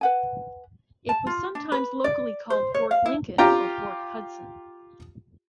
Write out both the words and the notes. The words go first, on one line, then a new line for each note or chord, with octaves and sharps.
It was sometimes locally called Fort Lincoln or Fort Hudson.
B4 F#5 G#5
A5
F4
D4
B4
D5
C5
C#5
F5
E4
F4 G4 G5 A#5